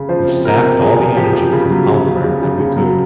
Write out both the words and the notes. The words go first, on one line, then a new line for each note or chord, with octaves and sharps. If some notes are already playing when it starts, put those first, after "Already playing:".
We sapped all the energy from Aldebaran that we could.
Already playing: C#3
F3 C5
C3
C3 A#4
C3
F3 G#4
F3
F3 G4
G#4
F3 G4
C#3
F#3
C#3
C#3
C#3
C#3
C#3
F#3